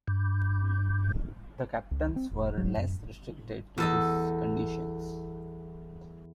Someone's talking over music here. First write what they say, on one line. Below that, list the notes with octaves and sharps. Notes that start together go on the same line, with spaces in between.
The Captains were less restricted to these conditions.
G2
C#2
C4
E1
F#3
F#2
E2 A4 D#5